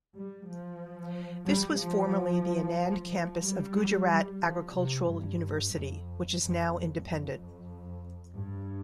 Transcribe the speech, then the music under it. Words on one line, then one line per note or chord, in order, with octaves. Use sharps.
This was formerly the Anand Campus of Gujarat Agricultural University, which is now independent.
G3
F3
G3
F3
F3
F3
G3
F3
C3
G2
F2
F2
F2
G2